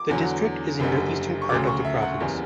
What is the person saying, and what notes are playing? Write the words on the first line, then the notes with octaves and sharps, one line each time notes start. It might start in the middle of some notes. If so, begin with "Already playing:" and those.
The district is in the eastern part of the province.
Already playing: D6
E2 D3 F#3
F#1 F#2 D3 G3
C#6
D2 C#3 F#3 D6
C#6
E5
F#5
F#1 E2 C#3 G3